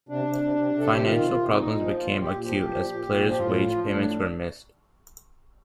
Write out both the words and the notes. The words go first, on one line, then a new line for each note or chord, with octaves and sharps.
Financial problems became acute, as player's wage payments were missed.
C3 D4
C3
C3
C3
C3
A4
C3 G4
D#3 F4
C3
C3
A#2 D#4
A#2
F3
A#2 F4
A#2
G4
A#2
F3 G4
F3
A#2
A#2
A#2
F3
G4
A2 F4
F3
F3
A2 D4
F3